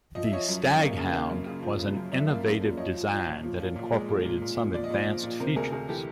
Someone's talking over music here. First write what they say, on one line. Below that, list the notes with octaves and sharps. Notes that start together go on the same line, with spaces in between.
The Staghound was an innovative design that incorporated some advanced features.
F3 D#5
E5
F3 C#5 D#5
F#2
C#3
A#3
C#3
A#3
F#2
C#3
F3
C#3
F#2
F#2 D5 E5
A#3
F#2
F3
F3 C#5 D#5
F3
F3
A#2
F3
F3
A#2
G#3
A#2
A#2
A#2
A#2
F3 D5
D#5
A#2 C5 D5
F3
A#2
C3 A#4 C5
D2 G#4 A#4
D2 G#4 A#4
E3 G4 A4